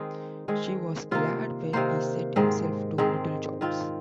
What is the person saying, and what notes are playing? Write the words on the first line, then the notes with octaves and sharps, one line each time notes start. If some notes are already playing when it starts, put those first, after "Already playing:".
She was glad when he set himself to little jobs.
Already playing: D#3 G#3 C4 D#4
D#3 G#3 C4
C3 D#3 A#3 F4
C3 D#3 A#3 C5
G#2 D#3 G#3 C4
G#2 D#3 G#3 C4
D#3 C4 F4